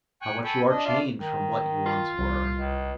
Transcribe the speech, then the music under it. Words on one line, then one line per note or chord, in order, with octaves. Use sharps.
How much you are changed from what you once were!
G5 G#5 C#6 F#6
A4 G5 G#5 B5 C#6
D4 D#5
A3 D4 F4 D5 C6 F6
D#3
F4
C2
C#2